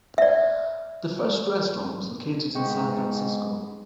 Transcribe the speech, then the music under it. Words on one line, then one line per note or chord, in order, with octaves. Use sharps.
The first restaurant was located in San Francisco.
D5 E5
G#2 G#3 B3 G5 C#6